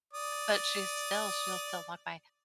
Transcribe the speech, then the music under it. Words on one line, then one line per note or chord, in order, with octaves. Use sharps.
But she's still she'll still walk by,
D5 D#6